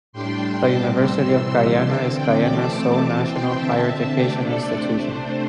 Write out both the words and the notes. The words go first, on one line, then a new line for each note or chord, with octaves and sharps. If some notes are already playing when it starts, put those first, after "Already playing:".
The University of Guyana is Guyana's sole national higher education institution.
A2 G3 D4 G5 C6
A2 G3 C4 A5 D6
C6 E6
C3 E3 G3 C6 E6
D3 C4 A5 D6
D5 G5
E3 A3 C4 A5 D6
E3 C4 A5 D6
G5 C6
D3 C4 E5 A5
C3 A3 D4 D5 G5
A4 D5
C3 A3 D4 C5
C5